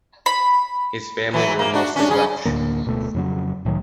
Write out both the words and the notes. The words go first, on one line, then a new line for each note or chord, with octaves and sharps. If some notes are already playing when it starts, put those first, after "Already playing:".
His family were mostly Welsh.
B5
E3 F#3
A#3
D4 F#4
C#4 D4
C#3 C#4 G#4
D2 A2 D3 A#3
D1 B2 A3
F2 C#3 F#3
C2 A2 D#3 F#3